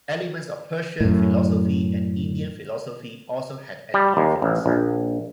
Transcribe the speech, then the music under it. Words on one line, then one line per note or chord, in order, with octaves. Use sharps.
Elements of Persian philosophy and Indian philosophy also had an influence.
F#2 A2
G3
D#2
A1
A#1